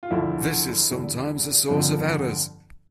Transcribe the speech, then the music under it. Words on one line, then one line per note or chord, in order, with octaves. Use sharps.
This is sometimes a source of errors.
F4
E1 D2 D3 F3 E4
E2 D3 G3
G1 F2 D3 F3